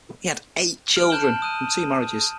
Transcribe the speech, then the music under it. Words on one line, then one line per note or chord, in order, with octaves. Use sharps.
He had eight children, from two marriages.
F6 D7
A5 F#6 G6 E7 F#7 G7
D#6 F#6 D#7